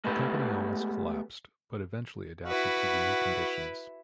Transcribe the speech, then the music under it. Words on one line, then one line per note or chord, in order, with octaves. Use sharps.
The company almost collapsed, but eventually adapted to the new conditions.
G#3 A3 B3 G4 B4
E4 F#4 B4